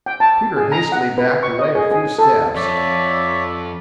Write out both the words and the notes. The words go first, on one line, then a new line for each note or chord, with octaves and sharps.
Peter hastily backed away a few steps.
G5
A5
G#4
A#5
F#5
B4
C#6
D#5
G#4
G#4
A4
F2 C#5 D5 E5